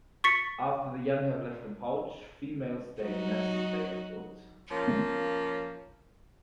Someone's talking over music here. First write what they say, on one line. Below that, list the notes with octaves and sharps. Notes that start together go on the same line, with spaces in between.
After the young have left the pouch, females stay in nests they have built.
C#6 A6 B6 C#7
F#3 D#4 F#4
F3 A#3 C#4